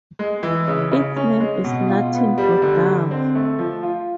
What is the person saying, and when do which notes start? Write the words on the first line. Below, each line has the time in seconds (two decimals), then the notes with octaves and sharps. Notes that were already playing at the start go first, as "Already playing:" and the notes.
Its name is Latin for dove.
0.19 G#3
0.43 E3
0.68 C#3
0.92 C#3
1.16 C#4
1.40 G#3
1.64 B2
1.88 F4
2.14 B3
2.38 G3
2.62 D3
2.86 D3
3.11 C4
3.35 A3
3.59 F3
3.83 F4